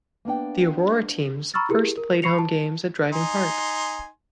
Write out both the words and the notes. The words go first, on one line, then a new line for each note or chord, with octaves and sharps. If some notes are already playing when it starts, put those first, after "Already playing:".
The Aurora teams first played home games at Driving Park.
A#3 B3 D4 G5
A#5 B5 C#6 E6 F6 A6
E4 G4 G#4 A#4
A#4
B5 C#6 C7 C#7 F7
A5
D#4 G#5 C6